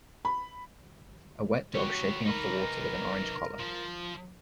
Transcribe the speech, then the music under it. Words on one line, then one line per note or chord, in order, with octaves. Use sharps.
A wet dog shaking off the water with an orange collar.
B5
F#4 G4 C#5
D#4 A#4 B4
F3